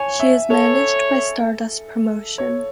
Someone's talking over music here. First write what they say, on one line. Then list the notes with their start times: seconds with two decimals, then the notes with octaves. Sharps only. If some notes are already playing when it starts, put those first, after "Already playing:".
She is managed by Stardust Promotion.
Already playing: C#5 G#5
0.20 E5
0.50 A4 C#5
2.38 C#5